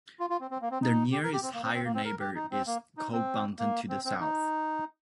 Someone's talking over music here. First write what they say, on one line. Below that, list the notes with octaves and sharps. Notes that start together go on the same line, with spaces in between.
The nearest higher neighbor is Cobb Mountain to the south.
F4
F4
C4
C4
A#3
C4
D#4
G4
A#4
G4
C4
A#3
C4
C4
A#3
C4
A#4
G4
D#4
C4
A#3
D#4
C4
A#3
C4
C4
D#4